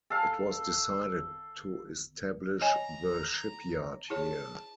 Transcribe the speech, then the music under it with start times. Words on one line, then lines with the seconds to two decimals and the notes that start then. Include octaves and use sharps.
It was decided to establish the shipyard here.
0.10 A4 F5
2.61 C#5 D#5 G#5 A#5
4.10 E4 G#4 C#5 A5